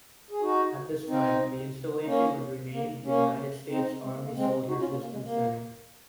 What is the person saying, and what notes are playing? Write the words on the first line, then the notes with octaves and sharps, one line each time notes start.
At this time the installation was renamed the United States Army Soldier Systems Center.
G#4
D#4 F#4
C4 D#4
D#4
A#3 C#4
A#3
A#3 C#4
C4 D#4
G#3 C4
A#3
A#3
G#3 C4
D#4 F#4
C#4 F4
A#3 C#4
A#3
G#3
A#3